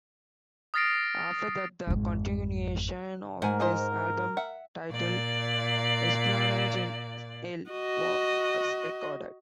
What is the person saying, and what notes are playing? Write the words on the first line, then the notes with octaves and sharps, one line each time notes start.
After that the continuation of this album titled "Espionage in Hell" was recorded.
D#6 F6 A6 A#6 C7 D7
G#1 F2
G#2 A#4 F#5 G#5
C5 D#5 G#5
E5 F#5
A#2 D5
F#4 D#5